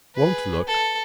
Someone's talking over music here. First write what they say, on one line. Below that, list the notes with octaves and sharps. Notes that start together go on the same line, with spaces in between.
Won't look.
G#4 B4
A4